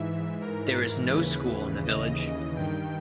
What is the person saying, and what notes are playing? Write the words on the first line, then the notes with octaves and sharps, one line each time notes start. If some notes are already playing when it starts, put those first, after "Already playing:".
There is no school in the village.
Already playing: G#2 E3 E5
A#4
D#2 C#3 E3 B4
D#5
G2 D#3 G5